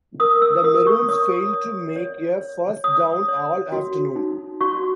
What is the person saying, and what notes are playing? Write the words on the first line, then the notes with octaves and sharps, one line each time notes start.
The Maroons failed to make a first down all afternoon.
A#4 D#6
E6
A#4 D#6
C#6
C#5 D#6
C#5
C#5
C#5
C#5 D#6
C#5
F#4
D#4
F#4 C#6